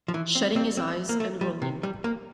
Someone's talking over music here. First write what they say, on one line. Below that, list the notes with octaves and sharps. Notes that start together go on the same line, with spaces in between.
Shutting his eyes and rolling.
F3
E3
C4
C4
C4
A#3
A3
G3
C3
G3
A#3